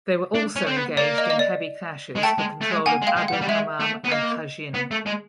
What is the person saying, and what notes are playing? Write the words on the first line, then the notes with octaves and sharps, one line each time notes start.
They were also engaged in heavy clashes for control of Abu Hamam and Hajin.
D4
C#4
C4
B3
A#3 D5
D#5
D#5
D5
G#3
A3 G5 A5
G#3
A3
G#3
A#3 F#5 G#5
G#3
F5 G5
G#3
G3 F#5
G3
G#3 E5
A3
B3
A#3 D#5
B3
A3
G#3